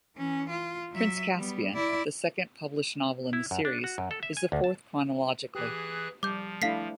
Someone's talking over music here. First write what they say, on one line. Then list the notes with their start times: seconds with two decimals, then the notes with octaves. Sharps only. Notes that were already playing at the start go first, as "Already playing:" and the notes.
"Prince Caspian", the second published novel in the series, is the fourth chronologically.
0.17 E3 C#4
0.50 F4
0.92 F#3 E5
1.36 G3 B3
1.73 E4 D5
3.33 E4
3.51 F#2
3.65 D4
3.84 F#4
3.98 F#2
4.11 A4
4.23 E5
4.37 G#5
4.52 D2
4.64 A5
5.55 E3 G4 G#4 F#6
6.23 F3 G3 D6 G6
6.62 A3 D4 E4 F5 B6 C7